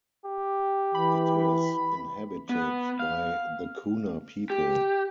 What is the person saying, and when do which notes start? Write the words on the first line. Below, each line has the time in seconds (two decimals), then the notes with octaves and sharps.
It is inhabited by the Kuna people.
0.25 G4
0.95 E3 B5
2.49 B3
2.99 F5
4.50 G4